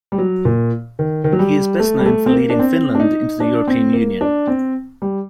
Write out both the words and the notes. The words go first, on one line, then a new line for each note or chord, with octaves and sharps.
He is best known for leading Finland into the European Union.
G3
F#3
A#2
D#3
D#3
F#3
G3
A3
G3
A3
C4
A#3
D4
C4
D4
D#4
D4
C4
A#3
D4
C4
G3